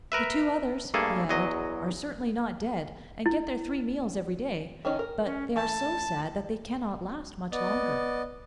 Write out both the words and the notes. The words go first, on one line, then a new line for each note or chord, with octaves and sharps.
'The two others,' he added, 'are certainly not dead, and get their three meals every day, but they are so sad that they cannot last much longer.'
A#4 B4 E5
G2 A3 A#3 G#4 A4
E2 F#3 D#5
E4
D#3 C#4 D#4
A#4
C#4
E3 A3 A5
B3 D5 D#5